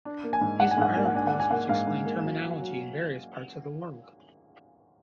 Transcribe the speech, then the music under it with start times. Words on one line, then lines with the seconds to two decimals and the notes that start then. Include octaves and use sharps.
These are articles which explain terminology in various parts of the world.
0.05 D4
0.23 A#3
0.33 G#5
0.41 G#2
0.59 D4 F#5
0.71 G#5
0.78 G#2 F#5
0.93 A#3 G#5
1.05 F#5
1.14 D4 G#5
1.27 F#5
1.33 D4
1.40 G#5
1.51 A#3 F#5
1.69 G#2 F5
1.87 G#2
2.05 A#3
2.23 F#3
2.42 F#3
2.60 F#3